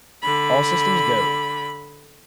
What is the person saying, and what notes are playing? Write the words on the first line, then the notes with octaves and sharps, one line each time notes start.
All Systems Go!
D3 B5